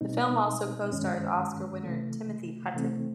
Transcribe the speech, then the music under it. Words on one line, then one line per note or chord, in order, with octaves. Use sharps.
The film also co-stars Oscar winner Timothy Hutton.
B2 G3 C4 D#4
G2 D#3 G#3 C#4
C3 E3 A3
C3 E3 A3 C4